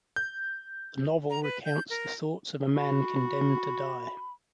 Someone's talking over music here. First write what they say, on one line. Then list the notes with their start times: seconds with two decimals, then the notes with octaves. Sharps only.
The novel recounts the thoughts of a man condemned to die.
0.16 G6
1.30 A#5
1.43 B4
1.65 G6
1.90 A#4
2.76 F#4 B5